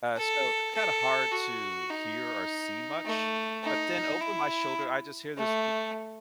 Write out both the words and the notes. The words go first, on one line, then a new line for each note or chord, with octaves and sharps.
Uh, so it's kinda hard to hear or see much, but then over my shoulder, I just hear this
A4
A4
F#4
D#4
A3
D#4
E4
A3